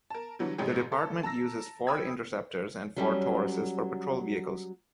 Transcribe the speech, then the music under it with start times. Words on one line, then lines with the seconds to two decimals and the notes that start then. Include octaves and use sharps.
The department uses Ford Interceptors and Ford Tauruses for patrol vehicles.
0.10 A#4 A5
0.39 D3 E3 F#3 G3
0.58 A1 G#2 C3 F#3 G4 G#4
0.92 A4
1.23 A5 A#5 E6 A#6
1.87 G5 B5 D#6 E6 G#6
2.96 F#3 G3 C#4